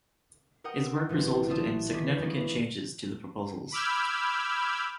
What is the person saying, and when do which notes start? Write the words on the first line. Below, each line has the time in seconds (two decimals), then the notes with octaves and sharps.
His work resulted in significant changes to the proposals.
0.64 A#4 F#5 G5 D#6
1.09 E1 A1 F#3 C5
1.49 F4 G4 C5 E5 A5 D#6
1.91 D#3 B3 G#4 D5 B6
2.18 E2 G#3 A#3 B3 C#4
3.72 B5 D6 E6 F6 G6 G#6